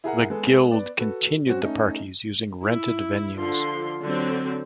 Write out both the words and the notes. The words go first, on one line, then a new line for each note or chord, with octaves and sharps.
The Guild continued the parties using rented venues.
E4 G#4 A#4 F#5
G#3 B3 A4
B3 D5
F#4 A4 B4
F#3 C4 C#4 F#4
A3 C#4 D#4
E4
D3 F3 C6
D3 F#3 C4